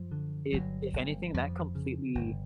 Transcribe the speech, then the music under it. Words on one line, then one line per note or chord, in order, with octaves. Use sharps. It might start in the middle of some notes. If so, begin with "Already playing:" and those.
it if anything, that completely
Already playing: F#2 F3
D3
G1 F#3
G1
F2 F3
C#3
G1